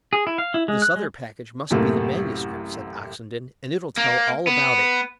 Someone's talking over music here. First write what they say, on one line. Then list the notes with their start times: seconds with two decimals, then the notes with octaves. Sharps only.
"This other package must be the manuscript," said Oxenden, "and it'll tell all about it."
0.13 G#4
0.27 E4
0.38 F5
0.54 E4
0.68 G#3
0.82 F#6
0.96 G#3
1.71 A1 F#2 C3 A3 A#3
3.98 A#3
4.47 B3